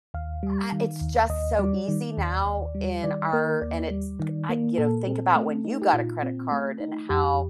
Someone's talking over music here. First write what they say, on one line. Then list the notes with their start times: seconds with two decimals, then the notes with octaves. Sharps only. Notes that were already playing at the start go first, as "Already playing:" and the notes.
uh, it's just so easy now in our and it's I you know, think about when you got a credit card and how
0.14 D#2 F5
0.43 G3
0.72 D#3
1.01 D#2
1.29 D#2 D#5
1.58 G3 D5
1.88 D#3
2.17 D#2
2.46 D#2
2.75 G3
3.04 D#3 D5
3.33 A#3 A#4
3.61 D#2 D5
3.91 G3
4.20 D#3
4.49 A#3
4.78 A#2 A4
5.07 C4
5.35 A3
5.65 D#4
5.82 G4
5.93 A#2 F4
6.22 C4
6.52 A3
6.80 D#4
7.09 F2 G4